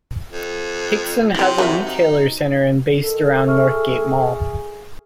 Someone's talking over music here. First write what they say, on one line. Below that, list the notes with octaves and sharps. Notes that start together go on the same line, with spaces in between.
Hixson has a retail center based around Northgate Mall.
F2
C3 C4 E4
F#3 B4 E5
D#4
D#3 A4
G#4 E5 C#6 F6